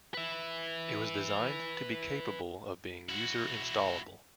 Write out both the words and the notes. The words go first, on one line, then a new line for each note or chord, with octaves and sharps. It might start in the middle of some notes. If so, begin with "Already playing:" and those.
It was designed to be capable of being user-installable.
B4 E5
E4 F#4